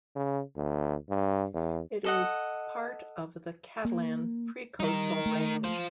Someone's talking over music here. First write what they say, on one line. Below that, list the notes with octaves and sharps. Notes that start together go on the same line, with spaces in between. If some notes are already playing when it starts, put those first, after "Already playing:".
It is part of the Catalan Pre-Coastal Range.
C#3
D2
G2
E2
A4 D#5 F#5
A#3
G3 D#4 A#4
A3
F4 C5